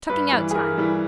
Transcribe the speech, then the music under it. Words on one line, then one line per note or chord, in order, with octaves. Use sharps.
Chuckingout time.
G2 B4
E3 G3
G#4
G2 A#4
E3 G3